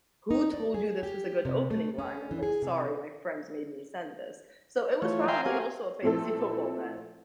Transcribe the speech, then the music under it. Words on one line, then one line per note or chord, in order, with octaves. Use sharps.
"Who told you this was a good opening line?" I'm like, "Sorry, my friends made me send this." So it was probably also a fantasy football bet.
D#4
D5
G#4
G4
C3
A3
C#4
E3
G#4
C3
E3 A3 F4 C#5
E5 F5 G5 G#5 A#5 C6
C4 F#4 G4 A#4 F5 G#5
A#2 F3 A3 C4 E4 A4